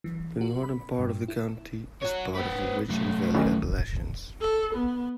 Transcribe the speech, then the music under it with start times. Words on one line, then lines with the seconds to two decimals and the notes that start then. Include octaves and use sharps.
The northern part of the county is part of the Ridge-and-Valley Appalachians.
0.04 E3
0.41 F#4
0.63 B5
0.99 G2
1.28 E4
2.02 F#4 C#5
2.36 C4 B4
2.88 F#2 A3
3.34 D#3 E3 C#4
4.41 A4
4.75 B3